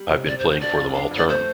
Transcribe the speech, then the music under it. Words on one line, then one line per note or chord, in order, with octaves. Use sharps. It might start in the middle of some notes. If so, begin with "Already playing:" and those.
I've been playing for them all term.
Already playing: G3
C3
C3 D5
C5
D2
C5
D4 D5
F2
D4 F5
F2
D5
A3 C5